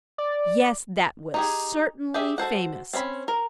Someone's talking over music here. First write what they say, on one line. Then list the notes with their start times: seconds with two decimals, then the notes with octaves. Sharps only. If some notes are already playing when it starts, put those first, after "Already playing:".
Yes, that was certainly famous.
0.18 D5
1.34 D#4 G4 G#4
2.14 G4 G#4 E5
2.38 F#4 A4 C5 F#5
2.93 C4 C#4 E5 B5
3.28 A#4